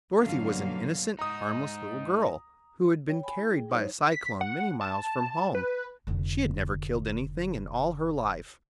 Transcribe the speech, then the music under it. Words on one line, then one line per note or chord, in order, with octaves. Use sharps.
Dorothy was an innocent, harmless little girl, who had been carried by a cyclone many miles from home; and she had never killed anything in all her life.
G2 B2 D3 F#3 A#3 F5
G#2 D#4 A#5 D#6
C#5 G5
G#5 B5
E4
G#4 G5
F#3 D#4 C5 C#5
B6
F#5
A5
B4
F1 D3